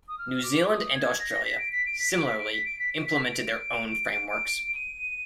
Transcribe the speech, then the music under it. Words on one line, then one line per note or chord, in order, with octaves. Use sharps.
New Zealand and Australia, similarly, implemented their own frameworks.
D#6
F6
D6
D#6
G#6
A#6
B6
D7
B6
D7
B6
D7
B6
D7
B6
D7
B6
D7
B6
D7
D#7